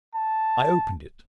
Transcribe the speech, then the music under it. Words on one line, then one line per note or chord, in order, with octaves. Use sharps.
I opened it.
A5